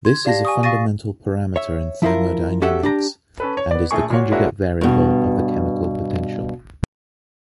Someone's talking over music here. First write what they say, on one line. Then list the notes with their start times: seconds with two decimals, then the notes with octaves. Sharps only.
This is a fundamental parameter in thermodynamics, and is the conjugate variable of the chemical potential.
0.05 C6 G#6
0.25 G4 D5 F5 A5 A#6
0.45 G#5 C#6 D#6
0.63 F5 C#6 D#6 A6 A#6 D#7
1.56 C#5 E5
2.02 F3 E4 F4 A#4
2.62 C#4 F#4 G4 A4 E5 F#5
2.83 D4 G4 A#5
3.40 C#4 A4 B4
3.57 C#5
3.71 B3 D5
3.91 A#1 A3 G#4 C#6
4.10 A#2 F#4 C#5
4.32 G#3 A#3 D4 E4 F#4 C#5
4.81 G2 B2